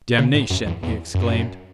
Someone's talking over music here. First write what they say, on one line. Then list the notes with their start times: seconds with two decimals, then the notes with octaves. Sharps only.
"Damnation!" he exclaimed.
0.18 C#3
0.34 A2
0.50 F#2
0.66 E2
0.83 E2
1.14 F#2